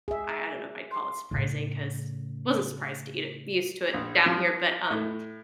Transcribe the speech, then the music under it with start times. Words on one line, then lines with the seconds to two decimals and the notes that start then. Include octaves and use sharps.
I I don't know if I'd call it surprising, 'cause wasn't surprised to eat it used to it down here, but, um,
0.08 G#4 E5
0.91 C6
1.31 A2 C#3
3.94 A#1
4.26 F3
4.91 A2